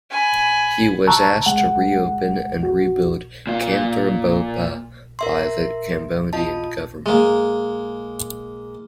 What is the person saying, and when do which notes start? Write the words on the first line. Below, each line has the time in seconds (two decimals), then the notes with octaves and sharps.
He was asked to re-open and re-build Kantha Bopha by the Cambodian government.
0.11 G#5 B5
1.07 A5 A#5 C#6 E6 F#6
1.46 C#2 G#3 F#5
2.63 F#4
3.47 A#2 F4
5.19 A#4 E5 C6
6.33 F4 D#5 A5
7.06 G#3 A#3